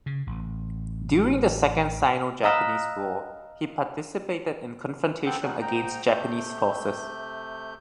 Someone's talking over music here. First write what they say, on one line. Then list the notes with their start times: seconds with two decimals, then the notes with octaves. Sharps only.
During the Second Sino-Japanese War, he participated in confrontation against Japanese forces.
0.06 C#3
0.27 A1
2.43 D#5 F5 A#5 B5 E6 F#6
5.26 D#3 B3 C4 A4 F#5 G5
5.42 E2 B2 F#3 D#4 F#6
5.61 G#2 D#4 G5 A#5
6.08 C3 A3 G6